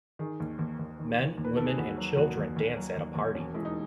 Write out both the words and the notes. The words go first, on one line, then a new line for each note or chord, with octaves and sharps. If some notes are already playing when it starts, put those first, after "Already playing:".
Men, women and children dance at a party.
D#3 G#4
D#2
D#2
D#2
D#3
D#3
D#2
B4
D#3 A4
G#4
D#2 F#4
F#3
D#2 F#4
D#2
D#2
F#3
D#2
D#2
E1 C#4
G#3 E4
D#4